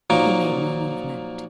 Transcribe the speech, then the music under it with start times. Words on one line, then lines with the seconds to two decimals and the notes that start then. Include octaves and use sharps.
He made no movement.
0.10 A#2 F3 F#3 A#3 D#4 D6